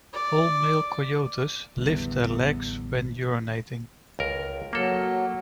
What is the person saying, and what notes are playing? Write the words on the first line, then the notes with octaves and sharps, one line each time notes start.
All male coyotes lift their legs when urinating.
D5
A1 E2 D3 G3
C#2 A#4
F#3 A#3 A4